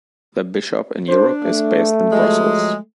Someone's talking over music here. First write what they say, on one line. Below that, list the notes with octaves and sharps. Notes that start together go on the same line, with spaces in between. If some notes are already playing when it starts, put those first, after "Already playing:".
The Bishop in Europe is based in Brussels.
D4 C5
A3
F3 F#3 G#3